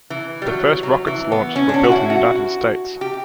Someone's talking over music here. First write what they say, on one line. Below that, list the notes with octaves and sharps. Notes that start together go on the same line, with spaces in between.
The first rockets launched were built in United States.
E3
G3
F#3
F#3
E3
B3
C#4
D4
C#4
F#4
E4
F#4
G4